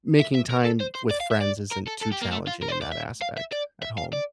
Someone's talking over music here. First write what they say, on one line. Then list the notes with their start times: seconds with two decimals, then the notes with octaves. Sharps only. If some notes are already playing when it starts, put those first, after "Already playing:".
making time with friends isn't too challenging in that aspect at home.
0.20 E5
0.35 E5
0.51 A#4
0.65 A4
0.81 C5
0.95 C5
1.11 D5
1.20 F5
1.31 E5
1.41 D5
1.71 A#4
1.87 A4
2.01 A4
2.12 G4
2.22 A#3
2.31 A3
2.47 F4
2.62 A#4
2.68 D5
2.72 C5
2.82 D5
2.92 E5
3.22 F5
3.38 E5
3.53 D5
3.83 E5
3.98 F5
4.13 D5